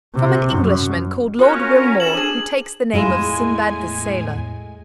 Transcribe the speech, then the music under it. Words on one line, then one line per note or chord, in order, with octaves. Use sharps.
"From an Englishman, called Lord Wilmore, who takes the name of Sinbad the Sailor."
C3
F#2
C#4 F4 F#4 A#4
A4 C5 G#5 E7 F#7
D4 G#4
E2 A2 G#3 E4 F4 G#5